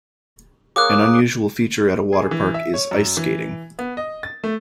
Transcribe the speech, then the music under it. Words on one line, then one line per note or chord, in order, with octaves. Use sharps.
An unusual feature at a water park is ice skating.
A#3 G#4 C#5 D6 D#6 F#6
G#4
E3
E5
C#5
F#2
E3
B3
D#5
A6
A3